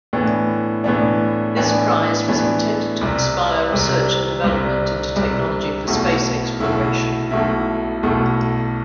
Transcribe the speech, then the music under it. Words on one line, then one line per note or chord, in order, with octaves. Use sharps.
This prize was intended to inspire research and development into technology for space exploration.
A2 E3 B3 D4
A2 E3 B3 D4
A2 E3 B3 D4
A2 E3 B3 D4
C2 C3 G3
C2 C3 G3
C2 C3 G3
C2 C3 G3
B1 B2 A3 E4
B1 B2 A3 E4
B1 B2 A3 E4
B1 B2 A3 E4